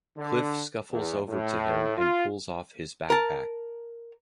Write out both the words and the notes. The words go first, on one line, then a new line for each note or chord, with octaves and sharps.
Cliff scuffles over to him and pulls off his backpack.
D3
E2
A2
F4
A#4 A5